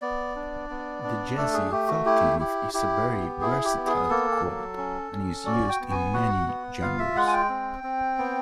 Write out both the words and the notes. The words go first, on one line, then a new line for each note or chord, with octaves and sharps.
The jazzy thirteenth is a very versatile chord and is used in many genres.
B3 D5
D4
B3
D4
A3 A4
G#4
A3 G4
F#4
E4 G4
E4 G4
E4 G4
B3
E4 G#4
G4
B3
G#4
A#3 A4
F#3
C#4
C#4
F#4 D5
G5
B3
G#5
F#4 F#5
B3
F4 F5
E5
G#3 F#5
G#5
G5
C4
C4
B3